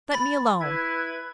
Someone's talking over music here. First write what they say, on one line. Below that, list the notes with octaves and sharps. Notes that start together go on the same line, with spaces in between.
Let me alone.
B5 A6
E4 B4 G#6